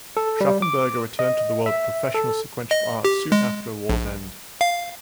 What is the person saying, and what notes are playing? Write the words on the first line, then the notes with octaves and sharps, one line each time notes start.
Schaffenberger returned to the world of professional sequential art soon after war's end.
A4
G3
D6
D#5
E5
A4
D#5
G4
G#3
A#1
F5